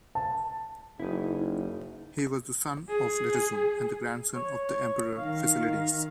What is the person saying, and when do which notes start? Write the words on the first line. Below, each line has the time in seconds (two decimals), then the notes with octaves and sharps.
He was the son of Letezum, and the grandson of the Emperor Fasilides.
0.15 A5
1.00 F#1 D#4 E4
2.89 G#4
4.35 C#5
5.18 D#3 F5